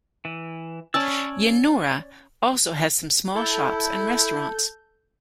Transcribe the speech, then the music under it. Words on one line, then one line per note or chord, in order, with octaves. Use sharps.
Yennora also has some small shops and restaurants.
E3
C#4 C#5 D5 A5 E6
E4 A4 G6